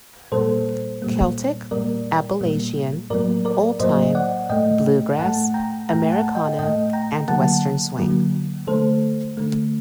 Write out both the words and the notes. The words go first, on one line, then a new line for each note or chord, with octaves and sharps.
Celtic, Appalachian, Old Time, Bluegrass, Americana and Western Swing.
A#2 G3 A#3 A4 C5
A#2 G3 A#3
A#2 G3 A#3 A#4 D5
A#2 G3 A#3
A2 F#3 A#3 A#4 D5
A#4 D5
A2 F#3 A#3 C5 D#5
D5 F#5
A2 A3 D#5 G5
A2 A3 F#5 A5
G5 A#5
A2 A3 G5 A#5
F#5 A5
D#5 G5
A2 A3 D#5 G5
G5 A#5
D3 F#3 A#3 F#5 A5
D3 F#3 A#3
D3 A3 A4 C5
D3 A3